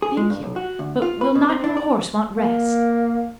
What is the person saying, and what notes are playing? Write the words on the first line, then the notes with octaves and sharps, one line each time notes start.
"Thank you; but will not your horse want rest?"
G#4
G#3
G2
B1
F#4
D2
F4
B4
B2
C4
D4
D5
A#3